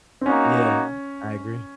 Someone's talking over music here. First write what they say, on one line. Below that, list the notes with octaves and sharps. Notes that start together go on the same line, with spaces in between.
Yeah, I agree.
C4
A#3 C#4 D#4 F#4